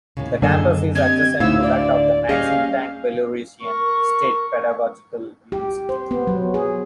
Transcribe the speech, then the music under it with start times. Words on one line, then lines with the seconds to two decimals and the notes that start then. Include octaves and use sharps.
The campus is adjacent to that of the Maxim Tank Belarusian State Pedagogical University.
0.17 D#2 A2 C#3
0.42 F#2 D3 A#3 D4 G#4 A4 D#5 G#5
0.95 C4 G4 D#5 G#6
1.40 D2 A2 D#4 E4 C5 F5 E6
1.62 D3 D5
2.29 G3 A#3 C#4 G#4 C5 D#5 F5
3.62 A#4 C#6
5.52 G4
5.89 C5
6.11 B3
6.27 F#3
6.54 G#4